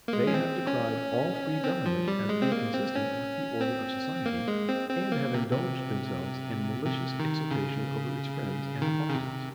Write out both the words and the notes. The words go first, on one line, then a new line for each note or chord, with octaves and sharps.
They have decried all free government as inconsistent with the order of society, and have indulged themselves in malicious exultation over its friends and partisans.
A#3
G#3
C#4
C4
C#4
C4
F3
G3
G#3
C4
A#3
C4
C#4
C4
A#3
G#3
C4
C4
A#3
C3
C3
C3
D#3
C#3
D#3
C#3
C3